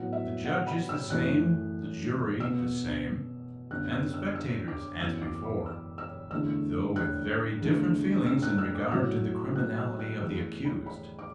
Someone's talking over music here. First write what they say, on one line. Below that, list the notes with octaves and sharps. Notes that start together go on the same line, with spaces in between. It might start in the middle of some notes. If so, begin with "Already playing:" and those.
The judge is the same, the jury the same, and the spectators as before; though with very different feelings in regard to the criminality of the accused.
Already playing: A2 F#3 B3 F#5
E5
F#5
B5
E6
F#2 E3 A3 F#6
B2 B3 E6
F#2 D3 B3 F#6
E6
E6
E6
D6
F#2 E3 B3 E6
D6
B5
E6
E6
E2 D3 A3 E6
F#6
E2 D3 A3
E6
F#6
E6
D6
A2 F#3 A3 E6
F#6
E6
F#6
E2 E3 A3 E6
B5
B5
D6